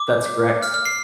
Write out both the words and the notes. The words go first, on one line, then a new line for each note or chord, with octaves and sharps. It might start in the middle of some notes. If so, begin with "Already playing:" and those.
That's correct.
Already playing: D6
F6
F6
C7